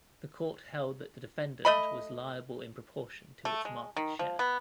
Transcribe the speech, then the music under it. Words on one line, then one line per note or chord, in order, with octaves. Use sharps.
The court held that the defendant was liable in proportion to its market share.
A3 D#5 B5
A3
G#3
D#3
F3
B3